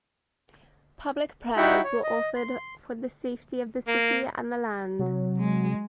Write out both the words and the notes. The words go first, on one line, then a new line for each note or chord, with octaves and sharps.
Public prayers were offered for the safety of the city and the land.
D#4 E4 F#4 E5 F#5 G5
C#5
D#5
C6
A#3
C3 F#3
G#3